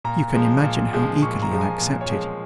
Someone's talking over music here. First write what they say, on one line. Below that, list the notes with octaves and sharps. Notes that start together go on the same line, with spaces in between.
You can imagine how eagerly I accepted.
A#2 A#5
F3 G#3
A#2
F3 G#3
A#2 C#6
A#5
F3 G#3
G#5
A#2
C#5
F3 G#3